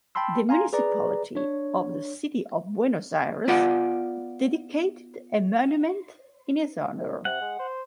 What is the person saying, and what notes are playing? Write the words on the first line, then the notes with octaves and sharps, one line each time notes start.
The municipality of the City of Buenos Aires dedicated a monument in his honor.
G5 A5 B5 C6 E6
F5 G#5 A#5 C6
G#4 B4 D5 A#5
D4 C#5
B3 F4 D5 F#5
C2
C3 F#5
G#3
C5